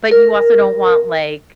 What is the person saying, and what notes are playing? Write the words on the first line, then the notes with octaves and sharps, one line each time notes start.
But you also don't want, like
A#4